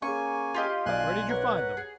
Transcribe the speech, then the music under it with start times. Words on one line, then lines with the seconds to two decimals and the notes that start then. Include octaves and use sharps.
"Where did you find them?"
0.02 A#3 C#4 G#4 G#5 C#6
0.54 F4 G4 D#5 F5
0.86 B1 D5 G#5 C6 F#6
1.29 A#4 B4 C#5 F#5
1.77 G#4